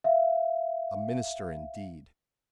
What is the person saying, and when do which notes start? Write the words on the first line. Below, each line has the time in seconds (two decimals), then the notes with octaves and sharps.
"A minister indeed!"
0.04 E5 F5